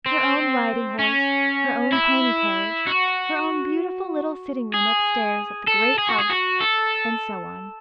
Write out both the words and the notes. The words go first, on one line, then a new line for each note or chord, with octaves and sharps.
Her own riding-horse; her own pony-carriage; her own beautiful little sitting-room upstairs at the great house, and so on.
C4
C#4
E4
F#4
G#4
A4
G#4
F#4
G#4
F#4
A4